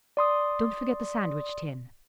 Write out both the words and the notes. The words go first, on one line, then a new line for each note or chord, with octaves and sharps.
Don't forget the sandwich-tin!
D5 C6 D#6